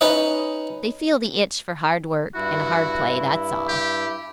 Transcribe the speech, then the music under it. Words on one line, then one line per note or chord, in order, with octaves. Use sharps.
They feel the itch for hard work and hard play, that's all.
C#4 D#4 B4 D#5
G2 E4 F#4
G4